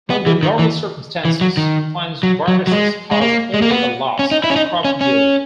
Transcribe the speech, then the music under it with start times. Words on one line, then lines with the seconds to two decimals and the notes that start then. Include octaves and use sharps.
Under normal circumstances, plant viruses cause only a loss of crop yield.
0.10 B3
0.27 E3
0.43 D#3
0.59 E3
1.25 E3
1.41 F#3
1.57 D#3
2.23 F#3
2.48 F#3
2.67 F#3
2.72 G#3
3.11 G#3
3.22 A#3
3.54 G#3
3.62 A#3
3.70 B3
4.19 C#4
4.31 D#4
4.44 E4
4.50 C#4
4.56 D#4
4.85 C#4
5.01 C#4